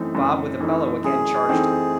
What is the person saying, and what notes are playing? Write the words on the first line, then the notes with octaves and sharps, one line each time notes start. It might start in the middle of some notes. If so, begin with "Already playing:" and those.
Bob with a bellow again charged him.
Already playing: F#2 E3 A3 C4 D#4
F#2
E3 A3 C4 D#4
F#2 G#4
E3 A3 C4 D#4